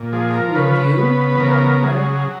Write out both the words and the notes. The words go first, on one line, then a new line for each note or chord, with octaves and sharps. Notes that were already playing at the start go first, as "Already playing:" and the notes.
"Who are you?" I now inquired.
Already playing: A#2
F3 G#4
A#4
C#3 B4
B3
C#3 A#4
F#3 G#4